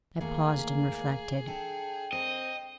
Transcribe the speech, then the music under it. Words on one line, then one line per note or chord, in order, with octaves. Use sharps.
I paused and reflected.
D#2 A3 A#3 G#4
D4 A4 G5
C4 A#4 D#5